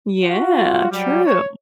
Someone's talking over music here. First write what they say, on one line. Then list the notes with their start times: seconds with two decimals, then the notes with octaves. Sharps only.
Yeah, true.
0.24 F4 F#4
0.91 F#3 G3
1.25 C#5